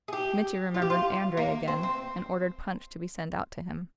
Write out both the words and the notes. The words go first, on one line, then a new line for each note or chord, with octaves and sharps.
Mitya remembered Andrey again, and ordered punch to be sent out to him.
G#4
G4
F4
G4
F4
A#3
C4
C4